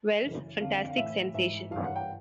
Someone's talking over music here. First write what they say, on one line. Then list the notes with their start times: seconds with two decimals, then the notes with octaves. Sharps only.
Wells' Fantastic Sensation.
0.23 F#2 C#3 E3
0.60 F2 D3 F5
0.90 F5
0.97 A2 E3 E5
1.34 G#2 E3 E5
1.71 G2 E3 F5
1.84 F#5
1.96 G5